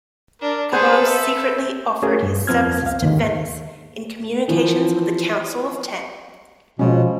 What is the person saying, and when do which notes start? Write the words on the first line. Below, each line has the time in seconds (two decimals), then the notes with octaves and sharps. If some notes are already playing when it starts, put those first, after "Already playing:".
Cabot secretly offered his services to Venice in communications with the Council of Ten.
0.41 D4 A#4
0.73 G#4 A4 B4 C5
1.06 E5
2.02 A3 C#4 F#4 G#4 A#4
2.23 G2
2.47 F2 F3 B3 C4 F6 G#6
2.82 C#2 F5
3.02 D#2 G#2 D3 D#3
4.48 E3 F3
6.79 B2 F3 G#3 C#4